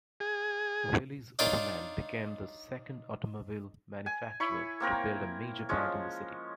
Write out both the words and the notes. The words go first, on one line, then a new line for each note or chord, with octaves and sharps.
Willys-Overland became the second automobile manufacturer to build a major plant in the city.
G#4
D4 D#4 F4 C#5 C#6 D6
G#5
E4 C#5 B5 C#6
A#3 C4 A#4 C#5
F3 G#3 C#4